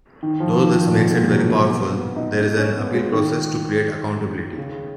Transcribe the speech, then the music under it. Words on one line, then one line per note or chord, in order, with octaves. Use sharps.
Though this makes it very powerful, there is an appeal process to create accountability.
D#3
F3
D#3
F3
A#2
B2
A#3
G#3
F#3
G#3
B3
B3
D#4
D#4
C#4
B3
G#3
D#3
C#3